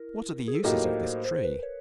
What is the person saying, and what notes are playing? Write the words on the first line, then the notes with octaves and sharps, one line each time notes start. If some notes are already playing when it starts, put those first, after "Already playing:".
What are the uses of this Tree?
Already playing: E4 A#4
G#4
A4
A2 F#3 A#3 D#4 G4 A#4
C5
C5
C5
C5
B4
C#5